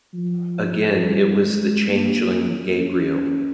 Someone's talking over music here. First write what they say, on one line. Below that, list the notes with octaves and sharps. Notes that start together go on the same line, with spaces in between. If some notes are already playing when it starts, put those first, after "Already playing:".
Again it was the changeling Gabriel.
F3
G3
G#3
A#3
C#4